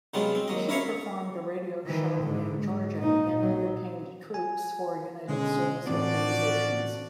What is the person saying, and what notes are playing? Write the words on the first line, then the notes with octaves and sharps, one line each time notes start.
She performed a radio show in Georgia and entertained troops for United Service Organizations.
C3 F#3 G#3 B3 D4 F4
C4
D#2 F#3 D#5
E4 A#4 C#5 E5 F5 C#6
D#3 E3
G#2 D3
G#3
A#2 D#4
A#1 F#3
G#5
B2 D3 G#3 C#4
A2 E3 F3 C4 F#4 D5